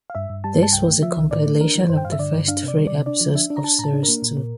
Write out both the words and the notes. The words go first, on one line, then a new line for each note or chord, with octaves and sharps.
This was a compilation of the first three episodes of Series Two.
F5
G2 E5
G2
G3 A5
G2 A5
C2 G5
A3
F3 E5
C2
A2 D5
A3
D4 A#4
E3
G2 C5
G5
G2 F5
E5
D3 D5
G2
D4 F5
C3
D5
G3
C3 D5
D4 D5
F3
D4 E5
D4
A#5
D4 A5
A2 A#5
A5
D4
A#4
A#3
A#2
A#2